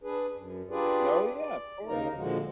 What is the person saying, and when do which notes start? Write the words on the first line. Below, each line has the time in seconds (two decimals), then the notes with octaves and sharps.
No, yeah, of course.
0.03 D4 G#4 B4
0.33 F#2
0.70 D4 F4 G4 G#4 B4 D5
1.41 D5
1.88 D#2 C#3 A#3 D#4 A#4 A#5
2.17 A#2 D3 F3 G#3 F#4